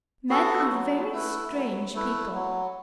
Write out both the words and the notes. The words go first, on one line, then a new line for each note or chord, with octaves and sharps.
Men are very strange people.
B3 F#4 A4
F#3
A3 E4 B4
F#3
A3 E4 B4
F#3